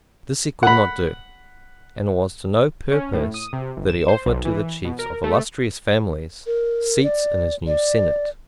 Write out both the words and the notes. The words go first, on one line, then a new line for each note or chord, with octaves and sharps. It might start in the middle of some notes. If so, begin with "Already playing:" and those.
This he could not do; and it was to no purpose that he offered to the chiefs of illustrious families seats in his new senate.
F#5 B5
C#4
A2
D#6
C3
G1
E7
C5
B1
E3
B2
A#4
A3
A#4
D5
D5